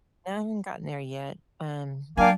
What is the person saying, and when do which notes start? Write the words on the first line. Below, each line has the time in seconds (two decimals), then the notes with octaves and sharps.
Haven't gotten there yet, um,
2.17 F#3 A#3 D4 F5 G5 G#5